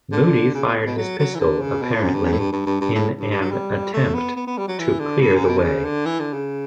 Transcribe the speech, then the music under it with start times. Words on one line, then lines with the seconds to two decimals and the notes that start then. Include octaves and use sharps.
Moodie fired his pistol, apparently in an attempt to clear the way.
0.13 D3
0.55 C#3
0.66 B2
0.76 A2
0.86 B2
0.98 F#3
1.19 F#3
1.35 E3
1.40 D3
1.61 C#3
1.82 B2
1.93 A2
2.04 F#2
2.14 G2
2.25 F#2
2.32 A2
2.39 G2
2.53 G2
2.66 G2
2.81 G2
2.95 A2
3.20 G2
3.31 G2
3.41 F#3
3.51 G3
3.94 A3
4.15 B3
4.36 B3
4.47 B3
4.58 G3
4.68 F#3
4.79 E3
5.00 D3
5.21 G2
5.35 F#2
5.45 C#3
5.49 B2
5.58 D3
5.63 C#3
5.85 D3
6.06 E3
6.20 D3
6.34 C#3